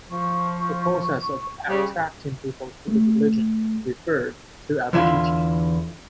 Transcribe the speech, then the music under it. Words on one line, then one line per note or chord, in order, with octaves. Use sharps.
The process of attracting people to the religion is referred to as teaching.
F3 C#6
C#3 G3
A3
E2 D3 E4 F4